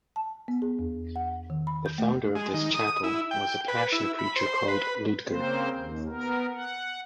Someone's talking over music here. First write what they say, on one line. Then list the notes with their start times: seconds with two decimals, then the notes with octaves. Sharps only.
The founder of this chapel was a passionate preacher called Liudger.
0.16 A5
0.48 B3
0.62 G#4
0.79 E2
1.16 F#5
1.50 D#3
1.67 B5
1.86 G6
1.98 A3
2.36 G#3
2.54 D#3
2.75 D#6
3.03 E4
3.31 G5
3.68 B4
3.92 E4
4.19 B5
4.36 C5
4.68 B4
5.27 C#3 A#3 C4 C5
5.71 D#2
6.08 B3 A#4
6.54 F#5